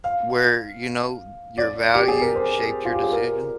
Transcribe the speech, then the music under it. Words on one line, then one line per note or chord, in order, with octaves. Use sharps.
where, you know, your value shaped your decision?
F5
D5
G4
G#4
A#4
C5
F4
G4
G#4
A#4